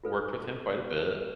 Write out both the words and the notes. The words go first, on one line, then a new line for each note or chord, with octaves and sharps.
worked with him quite a bit,
F4 A4 B4